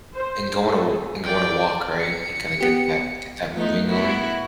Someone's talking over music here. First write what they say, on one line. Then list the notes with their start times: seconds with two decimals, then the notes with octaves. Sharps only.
And going to w and going to walk, right? And kinda get that get that moving going?
0.14 C5
0.65 A3 G#4 A4
1.24 D5 G5
2.00 C#7
2.61 B3 G4
3.53 A3 B3 D#4
3.84 B3 E4 F#4